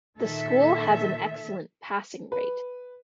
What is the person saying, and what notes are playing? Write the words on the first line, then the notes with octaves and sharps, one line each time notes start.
The school has an excellent passing rate.
A#2 D#3 A4 E5
B4